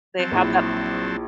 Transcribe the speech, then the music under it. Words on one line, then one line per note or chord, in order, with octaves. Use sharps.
they have that
F#3 C4 A5
A#1 E4